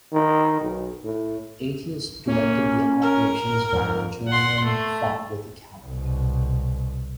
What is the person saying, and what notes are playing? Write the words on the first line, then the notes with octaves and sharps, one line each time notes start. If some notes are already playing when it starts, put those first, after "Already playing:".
Aetius directed the operations while Majorian fought with the cavalry.
D#3
B1
A2
A#3 C#4
A#4
F2
F#5 C6
A3
C2 B2